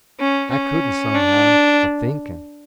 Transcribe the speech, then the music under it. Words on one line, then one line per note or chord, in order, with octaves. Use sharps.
I couldn't, somehow, for thinking.
C#4
C#4
D4